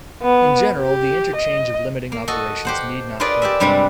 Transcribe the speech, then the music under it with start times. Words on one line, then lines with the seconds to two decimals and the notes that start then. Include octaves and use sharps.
In general, the interchange of limiting operations need not commute.
0.22 B3
0.80 G4
1.36 D#5
2.12 A#3
2.28 F#4 A4 D#5
2.65 G4 C5 F#5
3.20 F4 G#4 A#4 B4 D5 D#5
3.42 G4 D5 E5
3.60 G2 C3 G3 G#3 B4 D5